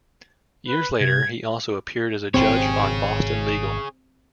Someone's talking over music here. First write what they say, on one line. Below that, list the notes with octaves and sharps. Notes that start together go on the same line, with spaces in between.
Years later, he also appeared as a judge on "Boston Legal".
B4
C3 G#6
G#1 B2 C4 G#4 C#5